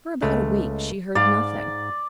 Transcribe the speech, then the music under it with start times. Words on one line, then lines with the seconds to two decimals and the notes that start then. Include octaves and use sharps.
For about a week she heard nothing.
0.22 C#2 G#3 A3
1.15 G#2 D5 F5